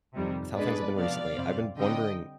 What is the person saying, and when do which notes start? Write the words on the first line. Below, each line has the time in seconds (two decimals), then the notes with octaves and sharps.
with how things have been recently, I've been wondering,
0.15 F2 C3 D#3 G3
0.56 B2 G#3 D4 B4 D5
0.96 C3 F3 B3 D4 D5 F5
1.36 F2 C3 G3 C4
1.77 D3 G3 C4 D#5 G5